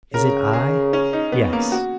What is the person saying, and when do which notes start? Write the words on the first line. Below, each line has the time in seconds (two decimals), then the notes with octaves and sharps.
"Is it I? Yes."
0.14 C#3 A#4
0.53 G#4
0.93 C#4
1.13 D#4
1.32 B3
1.53 A#3
1.72 F#4